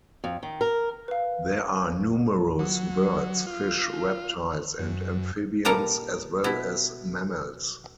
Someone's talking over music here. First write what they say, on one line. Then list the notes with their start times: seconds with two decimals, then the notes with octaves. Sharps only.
There are numerous birds, fish, reptiles and amphibians as well as mammals.
0.24 F2
0.43 D#3
0.61 A#4
1.08 B4 F5
2.59 F#3
3.47 F4
4.79 F#2
5.65 A#2 G3 A4 A#4 A#5
6.44 B2 E4